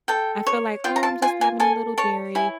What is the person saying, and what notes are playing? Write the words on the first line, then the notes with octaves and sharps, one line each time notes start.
I feel like, "Oh I'm just having a little dairy.
A4 G5
C#5
F4 G5
A#5
A5
F4 G#5
G#5
A4 G#5
C#5 A5
E4 G#5